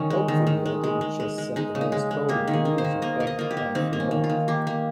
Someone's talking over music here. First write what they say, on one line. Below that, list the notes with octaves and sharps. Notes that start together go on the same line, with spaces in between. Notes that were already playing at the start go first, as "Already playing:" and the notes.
Hopefully I didn't just set the voice coding community back by a few months!
Already playing: D#3 C#4
G#3
D#3
D#3
G#3
G#3
G#3
G#3
G#3
G#3 D#4
C#3
D#4
G#3
G#3
A#3 G4
D#3
G#4
A#3
C5
D#3
A#3 D#5
A#3
D#5
A#3 F4
G4
A#3
D#3 C4
A#3
C#4
D#3
F4
D#3
A#3 G4
A#3